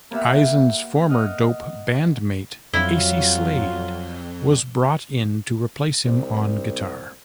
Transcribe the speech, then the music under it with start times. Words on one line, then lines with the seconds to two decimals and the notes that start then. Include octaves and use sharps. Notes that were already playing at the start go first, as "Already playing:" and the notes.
Eisen's former Dope bandmate Acey Slade was brought in to replace him on guitar.
0.11 A#3 B3 G4 A#4 E5 F#5
1.09 D#5 F#5 F6
2.74 F2 F#3 E4 F4 G7
6.06 C2